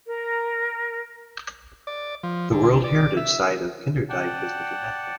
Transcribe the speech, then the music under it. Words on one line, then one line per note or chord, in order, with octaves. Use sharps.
The World Heritage site of Kinderdijk is in the gemeente.
A#4
D5
F3
D3
D5
E5
D5 F#5 G5 A5